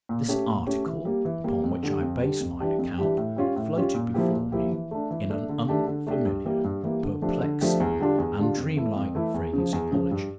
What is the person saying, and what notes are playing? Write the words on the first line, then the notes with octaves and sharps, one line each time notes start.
This article upon which I base my account floated before me in an unfamiliar, perplexing, and dream-like phraseology.
A#2
A3 C#4 G4
A#2
A3 C#4 G4
E3
G3 A#3
E3
G3 A#3
F2
D3 G3
F2
D3 G3
F2
E3 G3 D4 G4
F2
E3 G3 D4 G4
A2
G3 C#4 F4
A2
G3 C#4 F4
A#2
F3 A#3 E4 G4
A#2
F3 A#3 E4 G4
E3
A3 D4
E3
A3 D4
D3
A3 D4 G4
D3
A3 D4 G4
G2
E3 G3 A#3
G2
E3 G3 A#3
D3
F3 A3 D4 G4
D3
F3 A3 D4 G4
E2
D3 G3 D4 F4
E2
D3 G3 D4 F4
F2
E3 A3 E4
F2
E3 A3 E4
E2
C#3 F3
E2
C#3 F3
G2